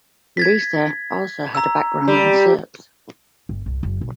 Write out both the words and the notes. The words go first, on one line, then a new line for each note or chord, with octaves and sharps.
Lisa also had a background in soaps.
G#6 A6 B6
A#5 E6
G3
G1
C2
F#1
B1